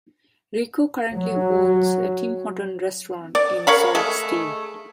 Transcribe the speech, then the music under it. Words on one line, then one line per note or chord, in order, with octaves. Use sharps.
Rico currently owns a Tim Hortons restaurant in Sault Ste.
F#3
D5
A#4 C#5 F5 B5
G#3 A3